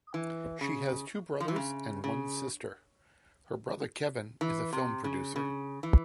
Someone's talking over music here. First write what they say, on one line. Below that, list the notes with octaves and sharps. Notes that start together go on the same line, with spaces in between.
She has two brothers and one sister; her brother Kevin is a film producer.
E3
C#3
F3
E3
C#3
C#3
E3
C3
C#3
C#3
E3